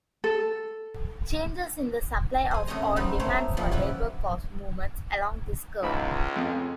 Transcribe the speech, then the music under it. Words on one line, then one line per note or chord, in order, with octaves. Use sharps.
Changes in the supply of or demand for labor cause movements along this curve.
A4
C5 G#5
F#2 C3 A3 C#5 D#5 A#5
G3 B3 C4 D#4
A3 A#3 G#4 C5 C#5
A#2 E3 F3 B3
C#4 E4 G4 B4 B5
C#2 G#2 B5
F2